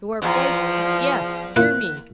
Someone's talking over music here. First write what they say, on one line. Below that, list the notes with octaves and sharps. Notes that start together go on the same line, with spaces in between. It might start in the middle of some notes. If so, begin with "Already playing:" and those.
You are quite--yes--dear me!'
E2 F3
A#3 E4 F4 F#6